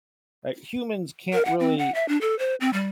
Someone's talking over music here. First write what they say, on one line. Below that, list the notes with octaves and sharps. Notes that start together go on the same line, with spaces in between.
uh, humans can't really
A#4
F#5
C4
F#5
E5
D4
A4
C5
C4
G3